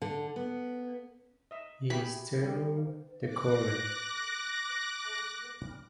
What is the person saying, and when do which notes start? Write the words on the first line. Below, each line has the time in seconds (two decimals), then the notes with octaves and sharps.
He’s turning the corner.
0.02 D3
0.36 B3
1.51 D#5 E5
1.90 E4 G4 G#4 B5
2.43 G3 G4
3.24 D6 F#6 A#6